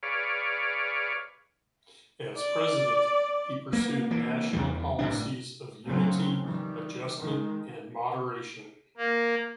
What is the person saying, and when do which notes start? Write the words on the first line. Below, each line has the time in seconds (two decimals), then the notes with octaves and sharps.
As president, he pursued national policies of unity, adjustment, and moderation.
0.03 G#4 B4 C#5 D5 F5
2.37 D5
3.73 A#3 B3
4.11 E3 A#3
4.53 E2 D#3 G3
4.99 G1 A2 C3 D4
5.87 D#2 C#3 F#3 A3 C4 C#4
6.43 D#3 E3 G3
7.19 D#3 G#3
8.97 A#3